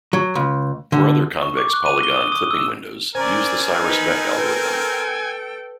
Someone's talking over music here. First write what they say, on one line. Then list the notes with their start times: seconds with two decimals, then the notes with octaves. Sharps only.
For other convex polygon clipping windows, use the Cyrus-Beck algorithm.
0.13 F#3
0.35 C#2
0.92 D3
1.42 C#6
1.58 D6
1.73 F#6
1.86 D#7
2.03 G7
2.16 D#6
2.32 D#6
2.51 E6
3.15 C4 C#4 A#4 C5 D5 G#5 A#5
3.81 D#4 B4
4.38 A4 B4 G5